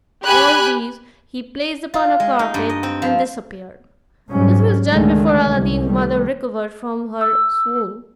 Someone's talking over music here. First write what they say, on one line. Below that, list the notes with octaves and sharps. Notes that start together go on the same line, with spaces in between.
All these he placed upon a carpet, and disappeared; this was done before Aladdin's mother recovered from her swoon.
G4 G#5 B5 F#6
F4
G#3
D#4
G2
D#5
C4
F3
G#2 B2 F#3 G3 C#4
C#2 D3 D#3 G#3 A3
C2
D#3 G3 A3
E6